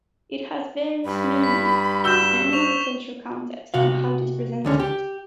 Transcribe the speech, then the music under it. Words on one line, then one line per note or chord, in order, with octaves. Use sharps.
It has various meanings, depending on the cultural context and how it is presented.
G2 B5
B6
F#4 E6 G6 E7 G7
C5 C#6 F7
C3 F#4 F5
C#2 D3 C#4
G4